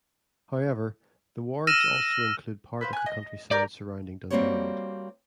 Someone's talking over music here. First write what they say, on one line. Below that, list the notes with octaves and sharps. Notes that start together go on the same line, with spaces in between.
However, the wards also include part of the countryside surrounding Dundonald.
E6 F6 A#6 D#7 E7
B4 C5 F5
G#5 F#6
D#5
G4 A#4 D5 A#5
G3 A#3 C4 F#4 G4 C#5